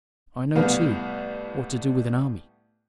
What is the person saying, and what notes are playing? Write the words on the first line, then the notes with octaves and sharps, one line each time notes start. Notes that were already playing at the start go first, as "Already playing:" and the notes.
I know, too, what to do with an army.
C2 A2 B3 B4 F5